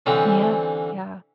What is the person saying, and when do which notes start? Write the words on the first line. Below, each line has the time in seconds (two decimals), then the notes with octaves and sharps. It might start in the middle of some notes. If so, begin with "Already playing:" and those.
Yeah. Yeah.
0.06 D3 E3 G3 C4 C#4